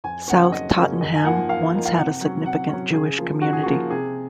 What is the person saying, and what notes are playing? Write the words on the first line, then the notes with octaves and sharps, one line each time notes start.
South Tottenham once had a significant Jewish community.
F2 G#5
C#3 F#3 A#3 C#4 F#5
F2 D#5
C#3 F#3 A#3 C#4
F#2 D#5
G#5
F3 A#3 D#4 F#5
F#2 F5
F3 A#3 D#4
F5
C3 F#5
F#3 C#4
C3 F#5
F#3 C#4
C#3 G#4
F3 A#3
C#3 F#4
G#4
F3 A#3 F#4
C3 G#4